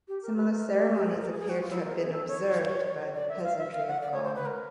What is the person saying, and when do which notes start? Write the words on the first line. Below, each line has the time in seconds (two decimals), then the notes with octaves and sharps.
Similar ceremonies appear to have been observed by the peasantry of Gaul.
0.08 G4
0.22 A#4
0.36 B4
0.51 A#4
0.73 G4
0.95 G4
1.06 G#4
1.18 A#4
1.28 G#4
1.39 G#4
1.49 F#4
1.61 F4
1.71 E4
1.83 A#4
1.97 G#4
2.12 A4
2.27 C#5
3.14 D5
3.29 E5
3.43 F5
3.58 E5
3.73 F5
3.87 F#5
4.01 D5
4.12 C#5
4.23 C5
4.35 B4
4.45 A#4